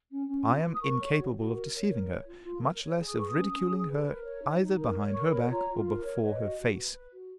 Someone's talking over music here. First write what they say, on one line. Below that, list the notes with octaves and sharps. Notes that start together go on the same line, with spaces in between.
I am incapable of deceiving her, much less of ridiculing her either behind her back or before her face.
C#4
C#4
F4
B4
D#6
A#4 C#6
C#5
F#4
F#4
A#4
C#5
A#4
C#5
F4
F4
A#4
C#5
G#4
D#6
B4 C#6
D#6
C#4
C#4
G#4
B4
A#4
C#5
D#4
D#4
A#4
C#5
A#4 C#6
C#5 B5
F4 A#5
F4
A#4
C#5
B4 D#5
F#4
F#4
B4
B4
F#4